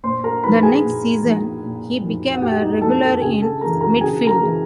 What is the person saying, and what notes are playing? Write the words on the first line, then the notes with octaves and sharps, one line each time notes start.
The next season, he became a regular in midfield.
A#2 C5 C6
A#4 A#5
F3 A#3 D#4 B4 B5
G#4 G#5
A#2
F3 A#3 D#4
A#2
F3 A#3 D#4
F#5
A#2 G4 G5
D#4 D#5
F3 A#3 D#4 A4 A5
A4 A5
C#3 G#4 G#5
A4 A5
E3 G#3 A#4 A#5
A#4 A#5
C#3 G#4 G#5
A#4 A#5
E3 G#3